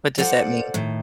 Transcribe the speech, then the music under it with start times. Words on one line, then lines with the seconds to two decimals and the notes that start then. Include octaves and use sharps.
What does that mean?
0.18 F4 A4 C5 D5 F#5
0.74 A2 D#3